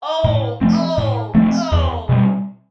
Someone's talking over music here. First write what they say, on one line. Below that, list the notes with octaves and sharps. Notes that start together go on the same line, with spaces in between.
Oh, oh, oh.
A2
F3 A3 C4
A2
F3 A3 C4
E2
B2 G3